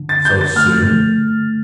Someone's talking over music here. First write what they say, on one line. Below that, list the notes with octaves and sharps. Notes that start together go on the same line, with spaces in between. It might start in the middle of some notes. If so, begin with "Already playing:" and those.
"So soon?"
Already playing: D3
A6
D3 G6
A6
A3 F6
A3